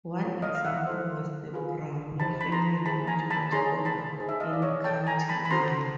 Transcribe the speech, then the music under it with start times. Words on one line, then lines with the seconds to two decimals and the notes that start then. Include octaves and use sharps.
One example was the Browne family which lost over in County Mayo.
0.20 F4 A4 C#5
0.42 D#5 F5
0.55 F5
0.65 E5 F#5
0.87 E4 A4 C5
1.54 F4 G#4 B4
2.20 D#4 G4 C5 A5 B5
2.41 B5
2.52 A#5 C6
2.85 E4 G#4 C5 A5 B5
3.07 G#5 A#5
3.30 A5 B5
3.52 D#4 G#4 C#5 A#5 C6
3.85 A5 B5
4.18 D#4 G#4 C5
4.29 E5
4.40 D#5 F5
4.53 D5
4.62 C#5 D#5
4.84 E4 A4 C#5 G5 A5
5.07 G#5 A#5
5.29 A5 B5
5.45 B5
5.51 C#4 F#4 A4 C5 A#5 C6